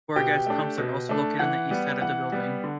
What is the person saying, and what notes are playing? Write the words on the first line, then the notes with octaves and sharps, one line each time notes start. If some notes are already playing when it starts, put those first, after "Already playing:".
Four gas pumps are also located on the east side of the building.
B2 G4 G5
A3 D4
B2
A3 D4
E3 F#5
G3 B3
E3 F#5
G3 B3
D3